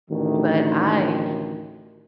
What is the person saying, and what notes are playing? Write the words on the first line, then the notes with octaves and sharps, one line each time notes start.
But I
A1 D2 D#3